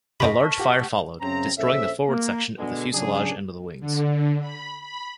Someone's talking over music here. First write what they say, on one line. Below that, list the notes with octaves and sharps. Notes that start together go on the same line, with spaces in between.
A large fire followed, destroying the forward section of the fuselage and the wings.
F#2 C3 D#5 G5 B5 C#6 A#6 B6
A5 C#6 F6
G4 F#5
F#2 C#3 C4 A#5
A#1 C#4 A4 C5 E5
A#3
B2 D3 G#3
C#3 F#3 D4 G#4
D3
B5
B5